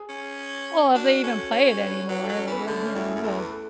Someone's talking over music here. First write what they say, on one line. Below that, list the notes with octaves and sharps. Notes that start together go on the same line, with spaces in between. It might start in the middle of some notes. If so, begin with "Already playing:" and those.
well, if they even play it anymore, like, th you know, ugh.
Already playing: G#4
C#4
D4 F#4
C#4 A4
C#4 C#5
B4
F#3 B4
A4
F#3
C#4
E3
B3
D3 A3
C#4
F#2 E4
G#4
F#2
E2 A4
B4
A4